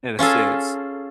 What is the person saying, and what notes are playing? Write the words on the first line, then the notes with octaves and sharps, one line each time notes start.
in a sense.
C#4 F4 G#4 A4